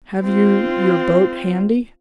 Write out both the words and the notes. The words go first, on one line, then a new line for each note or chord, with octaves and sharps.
"Have you your boat handy?"
C4 F4